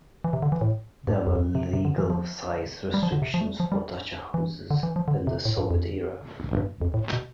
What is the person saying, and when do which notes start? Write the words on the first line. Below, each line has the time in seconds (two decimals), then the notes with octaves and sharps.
There were legal size restrictions for dacha houses in the Soviet era.
0.24 E3
0.33 C3
0.42 D3
0.52 E3
0.61 A2
1.07 G2
1.27 E2
1.36 F2
1.55 C3
1.73 C3
1.85 D3
1.98 E3
2.10 F3
2.94 G3
3.03 F3
3.12 D3
3.22 C3
3.34 F3
3.41 A3
3.47 G3
3.60 F3
3.72 G3
4.34 E3
4.71 D3
4.83 E3
4.96 F3
5.08 D3
5.27 C3
5.45 A2
5.58 G2
5.71 F2
6.57 G2
6.81 F2
6.94 A2
7.13 B2